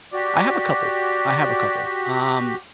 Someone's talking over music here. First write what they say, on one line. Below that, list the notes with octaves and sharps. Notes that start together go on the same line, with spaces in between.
I have a couple, I have a couple, um
F#4 G4 D5